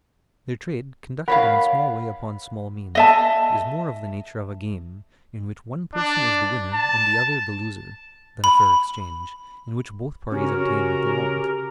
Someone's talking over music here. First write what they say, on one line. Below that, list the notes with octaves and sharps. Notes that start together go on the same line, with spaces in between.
Their trade, conducted in a small way upon small means, is more of the nature of a game, in which one person is the winner and the other the loser, than a fair exchange, in which both parties obtain what they want.
A#4 C#5 F5 F#5 B5
D#5 E5 A5
D4
A5
B5
C#3 C#4 F#4 G4 A#4